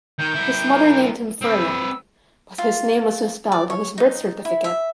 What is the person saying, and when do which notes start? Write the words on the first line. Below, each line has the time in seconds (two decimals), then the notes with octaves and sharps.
His mother named him Furland, but his name was misspelled on his birth certificate.
0.19 D#3 G6
0.34 E4 A#4
1.42 C4 B4 E6
2.58 F4
3.52 D5
3.70 C#5
3.98 D#4
4.45 E4
4.64 E5